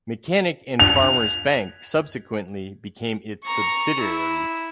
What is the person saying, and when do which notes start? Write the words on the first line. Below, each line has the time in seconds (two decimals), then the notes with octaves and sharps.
Mechanic and Farmers Bank subsequently became its subsidiary.
0.80 F7
3.43 A#5 C#6
4.00 E4